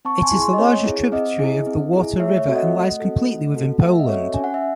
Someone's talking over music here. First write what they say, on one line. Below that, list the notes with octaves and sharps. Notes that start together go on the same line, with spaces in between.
It is the largest tributary of the Warta river and lies completely within Poland.
C4 A5 C#6
C#6
G#5 C6
E4 G#4
G#5 C6
D#5
C4 C#5
E4 G#4
C4 D#5
E4 G#4
C4
E4 G#4
A3 C#5 E5
C#5 E5
C4 F#4 A4
D#5 F#5
A3
C4 F#4 A4
A3
C4 F#4 A4
A3 F#5
E5
D#5
C4 F#4 A4 C#5 E5
C#4 G#5
F#5
E5